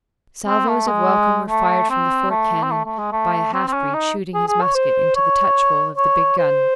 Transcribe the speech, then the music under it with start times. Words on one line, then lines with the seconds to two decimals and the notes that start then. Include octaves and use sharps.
Salvoes of welcome were fired from the fort cannon by a half-breed shooting his musket into the touch-hole of the big gun.
0.48 C4
0.68 A3
0.88 G#3
1.49 A3
1.90 C4
2.31 A3
2.63 C4
2.71 A3
2.85 A3
2.98 G#3
3.12 A3
3.53 C4
3.68 C4
3.73 C#4
3.94 D#4
4.34 G#4
4.48 G#4
4.62 C#5
4.75 C5
5.16 C#5
5.98 C#5
6.39 C5